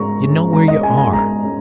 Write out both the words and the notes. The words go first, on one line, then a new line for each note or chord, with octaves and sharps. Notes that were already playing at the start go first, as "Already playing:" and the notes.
You know where you are.
Already playing: G#2 G#3 C#4 A#5 C#6
G#3 C#4
G#2 A#5
D#5
G#3 C#4 G#5
G#5
G#2 A#5
G#3 C#4